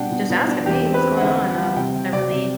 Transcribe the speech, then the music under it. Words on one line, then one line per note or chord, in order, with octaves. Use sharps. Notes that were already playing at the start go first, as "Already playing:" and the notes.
just ask him, "Hey, what's going on? Um, I really
Already playing: B2 G3 D4 F#5 G5
B2
B2
D4
E2 G4
C4
B4
C4
F#5
D3 E5
C4
F#5
G3
C3 G5
C3
C3 D5
C3